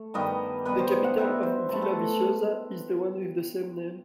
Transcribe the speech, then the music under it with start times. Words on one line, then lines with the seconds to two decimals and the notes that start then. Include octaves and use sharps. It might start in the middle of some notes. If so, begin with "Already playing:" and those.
The capital of Villaviciosa is the one with the same name.
Already playing: A3
0.14 G2 D#3 G3 B3 D#5
0.65 B2 G3 B3 B4
0.79 C5
0.92 D#5
1.04 F#5
1.17 B2 G3 B3 E5
1.43 C5
1.69 B2 A3 B4
1.82 A4